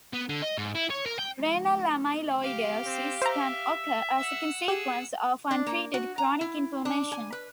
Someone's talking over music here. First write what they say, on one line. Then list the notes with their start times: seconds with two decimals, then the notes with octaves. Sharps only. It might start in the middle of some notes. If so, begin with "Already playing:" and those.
Renal amyloidosis can occur as a consequence of untreated chronic inflammation.
0.13 B3
0.29 D3
0.42 D#5
0.58 G#2
0.75 E4
0.90 C#5
1.06 A#4
1.19 G5
2.42 G4 F5
2.86 C4
3.22 C5 E5 A#5
4.18 F#5 E6
4.68 G4 G#4
5.51 D4
5.66 A#3
5.94 F#4
6.18 A#5
6.41 E4
6.85 D4
7.12 G#5
7.32 B4